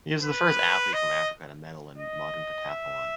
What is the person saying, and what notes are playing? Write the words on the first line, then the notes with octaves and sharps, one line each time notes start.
He is the first athlete from Africa to medal in modern pentathlon.
B4
D#5
D#5
E5